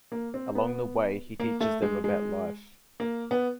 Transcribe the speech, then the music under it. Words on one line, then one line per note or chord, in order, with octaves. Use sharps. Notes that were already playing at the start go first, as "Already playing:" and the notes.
Along the way, he teaches them about life.
A#3
C4
B3
A#3
A3
G#3
G#3
A#3
B3